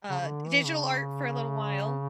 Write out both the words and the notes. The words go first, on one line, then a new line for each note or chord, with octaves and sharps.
uh, digital art for a little while.
C#3
C#3
D3
E3
C#3